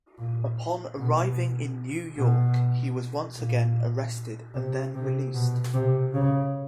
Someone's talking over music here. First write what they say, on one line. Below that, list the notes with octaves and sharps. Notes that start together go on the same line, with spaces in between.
Upon arriving in New York, he was once again arrested and then released.
A#2
B2
B2
A#2
C3
C3
B2
C3
C#3